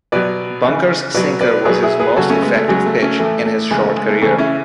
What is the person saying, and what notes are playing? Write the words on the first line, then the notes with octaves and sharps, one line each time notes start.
Bunker's sinker was his most effective pitch in his short career.
B2 F#3 B4 D5
C#3 E3
B2 F#3 B4 D5
B4 D5
B2 F#3 G#4 B4
E4 G#4
G#4 B4
C#3 F#3 F#4 A4
A3 C#4
G#3 B3
A3
C#3 F#3 G#3
A3
A3 C#4
A2 E3 A3
A3
C#3 E3 G#3
A3
G#3
A3
C#3 E3 A3 C#4
C#4 E4